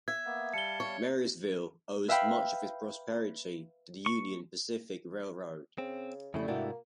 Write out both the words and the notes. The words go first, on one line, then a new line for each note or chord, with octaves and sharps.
Marysville owes much of its prosperity to the Union Pacific Railroad.
E5 G#6
A#3 B3
G3 F5 A5 C#7 G7
C#5
B4 E5 F5 G5 B5
C#6
C#3 C4
F2 C#3 G3 A3 E4
G#2 C3 A3 A#3 D4 E4 F#4